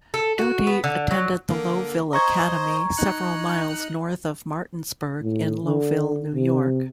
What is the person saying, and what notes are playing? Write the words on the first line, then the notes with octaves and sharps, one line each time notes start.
Doty attended the Lowville Academy several miles north of Martinsburg in Lowville, New York.
A4
F#4
B3
D3
F#3
D3 A#3
C5 D#5 A#5 C#6 G#6
D#4 F#6 C#7
A2
D3
C3